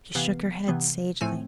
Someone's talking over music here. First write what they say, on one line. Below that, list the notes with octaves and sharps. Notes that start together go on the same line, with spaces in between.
She shook her head sagely.
C3 E3 B3 F5
C3 E3 B3
A2 F3 A3 C4 G#5